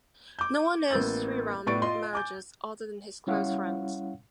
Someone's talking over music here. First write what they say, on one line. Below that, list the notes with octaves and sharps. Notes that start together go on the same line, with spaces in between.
No one knows Sriram marriages other than his close friend.
D6 G6
A1 A#3 B3 E6 G6 A6
A2 B3 D5 C#6 A6 D7
F4 D#5 C6
G#5 D6 G6
G3 C#4 E4 C#5 F5 F#5